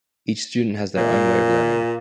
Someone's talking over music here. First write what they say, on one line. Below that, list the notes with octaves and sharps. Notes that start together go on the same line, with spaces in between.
Each student has their own way of learning.
A#2